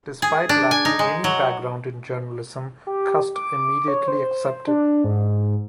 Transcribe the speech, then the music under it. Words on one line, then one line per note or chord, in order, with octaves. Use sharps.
Despite lacking any background in journalism, Cust immediately accepted.
G#4
D4
G#5
D#4
G#3
F#3
G4
D6
C#5
C5
D4
G#2